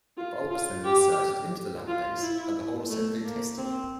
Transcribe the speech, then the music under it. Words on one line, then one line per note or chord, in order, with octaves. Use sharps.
The bulb is then inserted into the lamp base, and the whole assembly tested.
F4
F4
G4
F4
E4
A3
A#3
C4